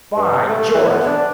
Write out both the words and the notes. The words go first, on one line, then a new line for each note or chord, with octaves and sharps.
By George!
G2
A3
E3
B3
D4